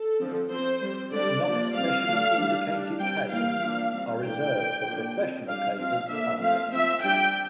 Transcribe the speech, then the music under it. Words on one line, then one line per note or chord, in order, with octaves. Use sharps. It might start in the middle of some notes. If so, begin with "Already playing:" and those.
Not specially indicated caves are reserved for professional cavers only.
Already playing: A4
D3 F3 C4
F3 C4 C5
G3 C4
D3 G3 D4 D5
F3 A#3 D4
G3 C4 F5
D3 A3 D4
G3 D4
G3 D4
G3 C4 G5
E3 G3 A#3 F5
F3 A#3 D4
G3 C4
E3 A3 D4 G5
D3 G3 D4
F3 A#3 D4
F3 C4
G3 D4 F5
F3 C4 F5
D3 F3 A#3 D4 E5
F3 A3 C4 F5
F3 C4 E5
G3 D4 G5